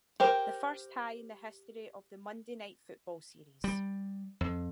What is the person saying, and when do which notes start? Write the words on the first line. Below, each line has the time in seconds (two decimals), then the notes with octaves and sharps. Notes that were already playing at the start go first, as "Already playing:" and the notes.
The first tie in the history of the "Monday Night Football" series.
0.20 G4 A#4 C5
3.64 G3
4.41 F2